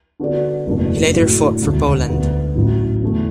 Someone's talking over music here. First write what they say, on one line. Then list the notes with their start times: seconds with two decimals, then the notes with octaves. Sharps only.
He later fought for Poland.
0.20 D3 B3 F#4 A4 D5
0.67 F#1 E2 B2 A3 D4
1.14 A2 A3 D4 F#4
1.61 E1 D2 D3
2.09 D2 D3 B3
2.55 A1 A2 F#3
3.02 E2 D3 A3